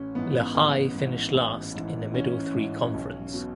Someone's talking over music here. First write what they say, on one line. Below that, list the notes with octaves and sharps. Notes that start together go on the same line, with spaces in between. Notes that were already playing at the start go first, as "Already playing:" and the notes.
Lehigh finished last in the Middle Three Conference.
Already playing: A1 C#4
G#2 E3 B3
A1 B3
G#2 E3
A1
G#2 E3
A1 C#4
G#2 E3
B1
B2